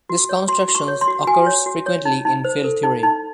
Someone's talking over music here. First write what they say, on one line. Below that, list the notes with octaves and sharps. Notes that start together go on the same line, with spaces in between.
This construction occurs frequently in field theory.
F#4
C#5
F#4 C6
F#4
C#6
C#5
C6
F#4
F#4 G#5
C#5
F#4
C#5
D#4
D#4
C5
A4
D#4
D#4